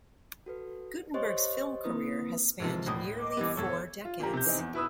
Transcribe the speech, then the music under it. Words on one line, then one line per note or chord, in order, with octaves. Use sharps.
Guttenberg's film career has spanned nearly four decades.
F#4 A4 B4
G4 C5 C#5 D#5 C6 C#6
A#3 C4 E4 B4 D#6
G#2 C3 F3
D2 A2 D#6
D#5 D6
E3 G3 B3
E2 A4 C#5 C#6
F4
A#2 F3 A#3 G4 A#4
C3 G6
E3 C4 D#4
E2
B2 E4 B4 D#6 E6